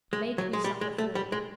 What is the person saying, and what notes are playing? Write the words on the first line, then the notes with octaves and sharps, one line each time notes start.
Make me suffer for it.
G#3
F#3
G#3
G3
G#3
A3
G3
G#3